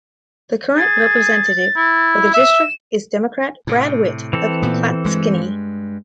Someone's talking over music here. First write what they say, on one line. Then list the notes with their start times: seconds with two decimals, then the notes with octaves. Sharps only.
The current representative for the district is Democrat Brad Witt of Clatskanie.
0.77 G#4 A6
1.76 E4
2.34 E5 E7
3.67 A2 C3
4.33 E3 C4 A4
4.62 A#2 B3
5.04 G2 G#3